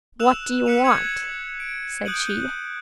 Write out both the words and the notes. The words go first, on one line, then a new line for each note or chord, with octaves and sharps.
'What do you want?' said she.
E6 F#6 E7 F7
E6 F#6 B6 C#7 D#7 F7
G#6 C#7 F7 F#7
D7
D#6 F#6 G6 D7 D#7 F#7